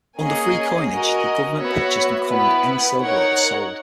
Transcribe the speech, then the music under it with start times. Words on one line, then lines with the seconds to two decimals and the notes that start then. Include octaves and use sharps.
Under free coinage, the government purchased and coined any silver that was sold.
0.18 A#3 C#4 G#4 D#5 G#5
0.88 F#4 A#4 D#5 G#5
1.58 B3 F#4 C#5 E5
2.28 B3 E4 B4
2.99 D#4 A#4 C#5 F#5